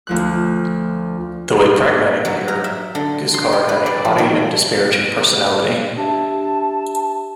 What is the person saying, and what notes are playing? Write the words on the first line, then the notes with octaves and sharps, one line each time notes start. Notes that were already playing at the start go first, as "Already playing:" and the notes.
Though a pragmatic leader, Giscard had a haughty and disparaging personality.
D2 F3 F#6
F#3
A#5
E5
D3
C6
G4
B4
D5
F3
D#3
D4 G4 E5 A5